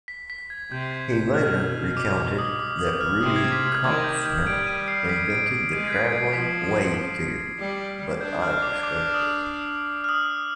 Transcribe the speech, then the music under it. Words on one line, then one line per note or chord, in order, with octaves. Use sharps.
He later recounted that Rudy Kompfner invented the traveling-wave tube, but I discovered it.
B6
B6
G#6
C3 G6
G#6
G6
B2 F6
D6
D6
D#6
D6
D#6
F6
C3 D#6
G#6
B6
G#6
D#3 G#6
G6
G6
G3 D7
D#7
C7
B6
D7
D7
G#3 D#7
G#6
B6
C7
F3 B6
G3
D4 G6
F6
D6
D6
D#6
F6
D#6